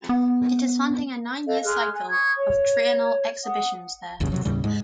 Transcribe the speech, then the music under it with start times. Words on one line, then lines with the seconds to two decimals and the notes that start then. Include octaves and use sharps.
It is funding a nine-year cycle of Triennial Exhibitions there.
0.09 B3
1.48 A4 D#5 F5
1.64 G#4 C6 F6 F#6
1.94 G#5
2.11 C#6 D#6 G#6
2.39 C#5
3.44 F#5 D#6
4.20 F1 C#2 G2 C#3
4.32 C3 D#3 F#3
4.45 D#2 A2 C#3 G3
4.64 G#2 G#3